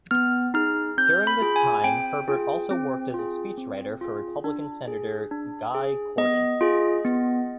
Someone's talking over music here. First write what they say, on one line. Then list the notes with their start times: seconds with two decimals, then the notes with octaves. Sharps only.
During this time Herbert also worked as a speechwriter for Republican senator Guy Cordon.
0.11 B3 F6
0.54 D#4 G#4 F6
0.98 C4 G6
1.27 B5
1.41 F4 G#4
1.56 G#5
1.84 C4 G5
2.28 F4 G#4
2.71 C4
3.14 F4 G#4
3.58 C4
4.01 F4 G#4
4.44 D4
4.88 G#4
5.31 D4
5.75 G#4
6.18 B3 D#5
6.61 F4 G#4
7.05 B3